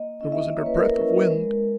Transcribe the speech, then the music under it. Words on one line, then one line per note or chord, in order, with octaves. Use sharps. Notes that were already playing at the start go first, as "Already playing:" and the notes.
There wasn't a breath of wind.
Already playing: A#3 D#5
C#4 E4 D#5
E5
D#5
A#3 C#5
B4
A#4
B4
C#4 E4 A#4
G#3